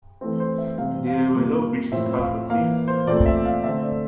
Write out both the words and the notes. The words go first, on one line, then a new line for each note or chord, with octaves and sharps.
There were no British casualties.
E3 A3 C4
C5
E5
C3 E3 G3 C4 F5
F5
A#2 G3 A#3
A2 F3 C4 E5
F5
E3 A#3 F5
C5
A#2 A3 C4 D5
E5
F5
D3 A3 C4 E5
D5